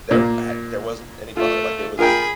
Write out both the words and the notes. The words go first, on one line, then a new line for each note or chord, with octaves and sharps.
There had there wasn't any bug, like, it was
A#2 A#3
A3 F4
F4 G#4 A#4 G5 B5